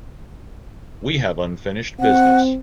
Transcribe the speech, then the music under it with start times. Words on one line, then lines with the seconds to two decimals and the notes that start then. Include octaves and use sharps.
We have unfinished business.
1.99 C4 F#5